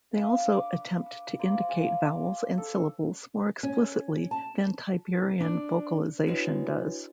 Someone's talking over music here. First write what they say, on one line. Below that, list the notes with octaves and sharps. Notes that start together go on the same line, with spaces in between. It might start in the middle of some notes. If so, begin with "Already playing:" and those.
They also attempt to indicate vowels and syllables more explicitly than Tiberian vocalization does.
D4 B4 F5
D6
A#3 C5 D5
D5 F5 G#5
A4
C#4
A5
D4
D4 E4 F#4 B4 C#5 D#5